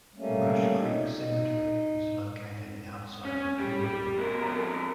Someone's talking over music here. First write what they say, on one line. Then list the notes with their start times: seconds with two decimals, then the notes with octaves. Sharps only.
Brush Creek Cemetery is located outside of Irwin.
0.18 G3 A3 A#3 C#4
0.78 D#4
1.16 D#4
3.25 C#4
3.60 G3
3.84 G3
4.18 B2 A#4
4.40 F2 A#4